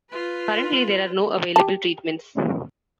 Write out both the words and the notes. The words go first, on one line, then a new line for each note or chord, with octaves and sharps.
Currently there are no available treatments.
F4 B4
G4 A5